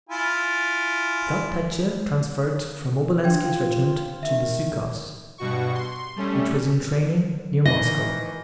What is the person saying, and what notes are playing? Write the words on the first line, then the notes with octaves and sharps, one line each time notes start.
He got Petya transferred from Obolenski's regiment to Bezukhov's, which was in training near Moscow.
E4 F4 G#5
D4 F4 G5 G#6
F4
D#3 E5
G2 B2 F#4 C#6
C6
G3 A3 C#4
D#3 E3 D#5 A#6